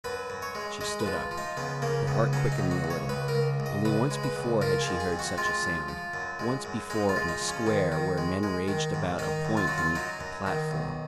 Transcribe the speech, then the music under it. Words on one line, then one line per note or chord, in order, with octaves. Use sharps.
She stood up, her heart quickening a little--only once before had she heard such a sound, once before, in a square, where men raged about a point beneath a platform....
F#2 B4
F#2
C#5
G#3
G#3 D#5
B4
F3
F3
D#4
C#3 B3
C#3 A#3
C#2 B3
F#3 C#4
D#4
C#2
F#4
C#2
C#5
C#2 B4
A#4
C#2
C#2
D#5
C#2 B4
G#3
B4
C#2
F3 A#4
G#4
F2
G#4
F2
F#4
G#3 F4
F3
F3
F#2
G#3
F#2
G#3 D#4
F4
G#3
D#4
F3
C#4
D#3
D#3
G#3
G#3
D#3
G#2
D#3 D#4
F#2
F4
F#2 F#4
F4
F#3 D#4
F#2
D#3
B1